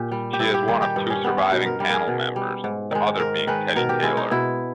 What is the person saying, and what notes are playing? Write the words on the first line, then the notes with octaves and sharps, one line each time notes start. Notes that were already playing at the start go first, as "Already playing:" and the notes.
She is one of two surviving panel members, the other being Teddy Taylor.
Already playing: A#2 G4
G3
G4
G2 E4
G4
D#3 G3 G#4
G4
G2
C#4
D#3 G3 B3
C#4
B2 D#4
A#4
G3
G#4 A#4
B2
G3
G#2
D#3 G#3
G#2 A#4
D#3 G#3 B4
B2 A#4
G4
G#3 E4
D#4
B2 E4